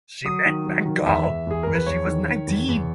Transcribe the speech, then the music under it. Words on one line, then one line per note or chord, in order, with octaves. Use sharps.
She met Van Gogh when she was nineteen.
F#3 D#6
D#3
F#3
D#3
E2 E5
E2
E2 G#4
E2 A#4
B4
E2 C#5
D#3
D#3
E2
E2